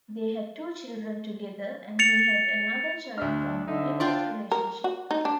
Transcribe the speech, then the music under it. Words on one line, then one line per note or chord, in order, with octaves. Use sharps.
They had two children together and he had another child from a previous relationship.
A6 C#7 F7
D2 D4 E5 F6
D3 D#4 E5
D4 F4 D5 G5 C6
A#4
F#4
D#4
D4